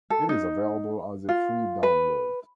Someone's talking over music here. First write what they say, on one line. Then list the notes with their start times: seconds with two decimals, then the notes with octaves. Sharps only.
It is available as a free download.
0.10 A4
0.29 D#4
1.29 F4
1.83 B4